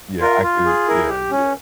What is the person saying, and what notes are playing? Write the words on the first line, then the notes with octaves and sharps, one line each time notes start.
Yeah, I could yeah, yeah.
F4 A#4
F4
G#4
E4 A#4
G4
C#4